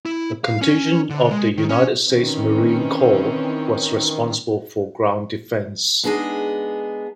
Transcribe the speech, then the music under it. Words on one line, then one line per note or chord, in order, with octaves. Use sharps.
A contingent of the United States Marine Corps was responsible for ground defense.
E4
F5
C#4
D3
G#3
D#3
C#4
D#3 E3 C4 C#4
G#3 B3 D4 D#4 G#4